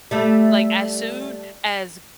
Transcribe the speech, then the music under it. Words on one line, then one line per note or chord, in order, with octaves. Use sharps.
like, as soon as
G3 A3